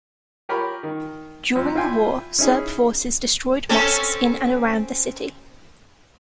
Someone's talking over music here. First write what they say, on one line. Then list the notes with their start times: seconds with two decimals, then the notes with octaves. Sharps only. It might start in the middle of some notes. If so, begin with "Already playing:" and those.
During the war Serb forces destroyed mosques in and around the city.
0.49 F4 G4 A#4 C#5 B5
0.83 D#3
1.55 F2
1.75 E4 F4 F5 G5 G#5 C6
2.39 C#4 D#4 E4 G#4
3.69 C4 C#4 A4